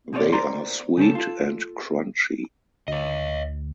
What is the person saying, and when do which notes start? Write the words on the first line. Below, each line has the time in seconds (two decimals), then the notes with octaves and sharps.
They are sweet and crunchy.
0.13 B2 C4 G#4 C#5 D5
0.33 A#4 C5 D5 A#5 C6
0.97 C#3 C4 C#4 A4
1.15 F4 A4
2.88 D2 C#5 D#5